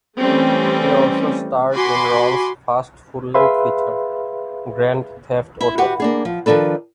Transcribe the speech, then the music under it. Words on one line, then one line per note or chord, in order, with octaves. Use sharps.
He also starred in Ron's first full length feature, "Grand Theft Auto".
E3 G3 A3 C4 C#4
F#4 G#5 B5 C6 D6
G#4 B4 E5 F5 B5 C6
E4
F#4 G4 B4 F#5
A#3 D4 G#4
F3
D#3 F3 D4 A4 B4